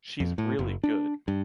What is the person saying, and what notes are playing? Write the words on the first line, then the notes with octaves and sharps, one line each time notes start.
She’s really good.
F2
A2
F#1
D4
G2